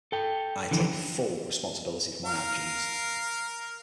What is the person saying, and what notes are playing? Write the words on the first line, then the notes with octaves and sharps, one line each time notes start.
I take full responsibility for my actions.
A4 G5
D3 E3 F3
A#4 F5